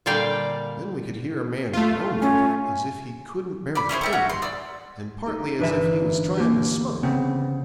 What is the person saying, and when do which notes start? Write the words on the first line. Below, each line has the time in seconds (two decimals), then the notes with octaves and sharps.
Then we could hear a man groaning, as if he couldn't bear the pain, and partly as if he was trying to smother it.
0.06 A#2 D3 G3 D5 F5 G5
1.73 A3 F4
2.22 C#4 G#5
3.75 D5 B5
3.89 C#4 E4 G#4 C5
4.01 A3 G4 E5
4.13 C#4 F#4 G#4
4.29 C6
4.42 D5 E6
5.26 D#4 G4
5.60 G1 E3 D4 B4 E5
6.37 A#3 G4
7.03 C#3 B3 C4